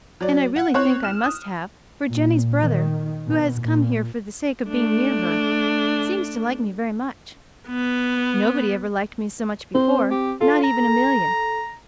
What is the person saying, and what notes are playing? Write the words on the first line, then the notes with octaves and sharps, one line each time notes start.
And I really think I must have, for Jenny's brother, who has come here for the sake of being near her, seems to like me very much. Nobody ever liked me so much before, not even Amelia.
F#3 D5
F#5
C4 C#5 F#6
F6 E7
D#6
A#2
D#3
B2
A#2
A3 D4
B3
C4 C5
G4
F4 A4
A#5